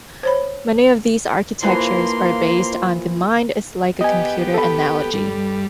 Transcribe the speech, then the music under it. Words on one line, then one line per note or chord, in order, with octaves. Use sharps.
Many of these architectures are based on the-mind-is-like-a-computer analogy.
C5 C#5 B5
E3 F3 A#3 B4 C6
B3 G4 D#5 G#5
A4 B5
G2 G3